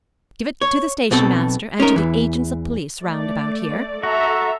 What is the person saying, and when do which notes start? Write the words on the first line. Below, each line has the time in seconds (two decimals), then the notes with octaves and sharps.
Give it to the station-master, and to the agents of police round about here.
0.61 C#5
1.11 B1 B2 C4 A4
1.80 C#4 D#4 A#4
1.96 E2 E3
3.02 A3 D5
4.03 F#4 A4 E5 A#5